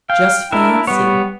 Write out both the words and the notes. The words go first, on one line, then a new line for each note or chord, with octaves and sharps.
Just fancy!
F5 G5
D4 E4 A#4 E5
G3 B3 C#5